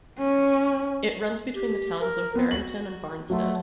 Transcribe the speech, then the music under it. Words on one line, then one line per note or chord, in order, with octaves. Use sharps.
It runs between the towns of Barrington and Barnstead.
C#4
G4
A#4
B3 C4
F#4 F#7
F#3 A3 F#5 C6